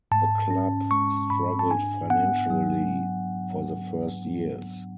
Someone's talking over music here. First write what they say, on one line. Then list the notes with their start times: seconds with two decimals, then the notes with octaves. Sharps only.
The club struggled financially for the first years.
0.12 G#2 A5
0.50 C#4
0.91 G#3 C#6
1.30 G#2 B5
1.59 A5
1.70 D4 G#5
2.10 B3 F#5
2.50 F#3